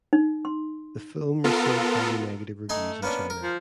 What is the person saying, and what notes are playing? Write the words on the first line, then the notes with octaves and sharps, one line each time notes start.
The film received highly negative reviews in China.
D#4
C6
B3 F4 A4 A#4
A3 D#4 G#5 C6
A#3 B3 C#4 D4
A#4
F3